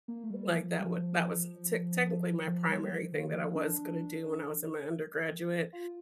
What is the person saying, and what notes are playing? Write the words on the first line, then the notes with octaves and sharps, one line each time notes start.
like, that would that was tech technically my primary thing that I was gonna do when I was in my undergraduate
A#3
A3
G3
F3
G3
F3
F3
G3
F3
D#3
F3
D4
F4